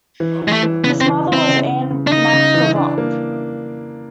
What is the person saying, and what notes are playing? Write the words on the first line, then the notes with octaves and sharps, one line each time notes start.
His mother was Anne McGavock.
E3
E3
G#3
A3
E3
C#3 B3
C4
E3
E3
C4
C#3
C#3
C#3
D4
C#3 D#4
C#3
E3
D4
A#3